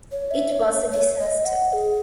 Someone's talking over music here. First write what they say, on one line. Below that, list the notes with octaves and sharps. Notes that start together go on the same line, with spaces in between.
It was a disaster.
C#5
E5
C#5
C#5
D#5
F#5
G#4